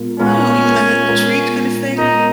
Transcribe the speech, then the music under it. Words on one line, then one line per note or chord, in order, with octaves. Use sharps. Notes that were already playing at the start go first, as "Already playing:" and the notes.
Oh, you mean like a a treat kind of thing?
Already playing: A#2 G#3 B3 F4 A#4
A#2 G#3 B3 C#4 F4 A#4
A#2 G#3 B3 F4 A#4
A#2 G#3 B3 D#4 F4 A#4